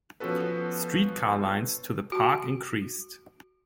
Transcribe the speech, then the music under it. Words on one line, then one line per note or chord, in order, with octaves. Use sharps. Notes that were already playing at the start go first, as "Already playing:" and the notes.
Street car lines to the park increased.
F3 B3 C#4 F#4 A4 B4
F#4